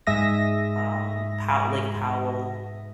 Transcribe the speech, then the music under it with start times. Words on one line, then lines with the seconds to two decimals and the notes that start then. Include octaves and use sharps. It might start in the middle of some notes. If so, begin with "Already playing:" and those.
um, Po Lake Powell,
0.07 G#2 G#3 E5 D#6 A#6